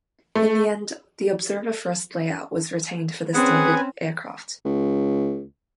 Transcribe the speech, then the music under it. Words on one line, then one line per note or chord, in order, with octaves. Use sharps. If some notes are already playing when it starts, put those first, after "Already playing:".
In the end, the observer-first layout was retained for the standard aircraft.
A3
C4 C#4 G#4 B4 F#5 G#5
C#2